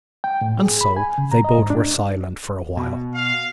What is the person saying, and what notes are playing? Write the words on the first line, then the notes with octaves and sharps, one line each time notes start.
And so they both were silent for a while.
G5
A2
G#4
B5
G#5
C#3
A#5
D#5
G#2
D4
B2
F5